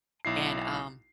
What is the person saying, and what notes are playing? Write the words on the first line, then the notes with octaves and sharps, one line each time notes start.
and, um,
B1 E4 C7